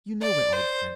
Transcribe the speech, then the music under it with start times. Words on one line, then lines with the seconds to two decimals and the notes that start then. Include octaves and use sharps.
You know we are old friends.
0.22 D5
0.52 C5